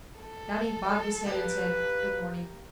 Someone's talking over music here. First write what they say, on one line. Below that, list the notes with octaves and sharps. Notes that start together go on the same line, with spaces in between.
Johnny bobbed his head and said, "Good morning."
A4
A#3 G4 B4